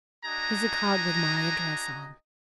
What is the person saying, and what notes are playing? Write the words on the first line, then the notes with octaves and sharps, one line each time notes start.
Here's a card with my address on.
D4 F#4 D#5 G#5 A#5